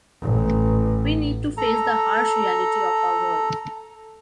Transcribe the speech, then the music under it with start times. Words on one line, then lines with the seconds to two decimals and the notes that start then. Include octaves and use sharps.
We need to face the harsh reality of our world.
0.21 A1
1.57 A4 A#5